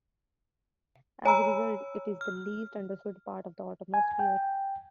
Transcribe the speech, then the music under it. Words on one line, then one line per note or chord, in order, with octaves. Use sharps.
As a result, it is the least-understood part of the atmosphere.
C#5 G#5 A#5 B5 E6
F6
G#5
G5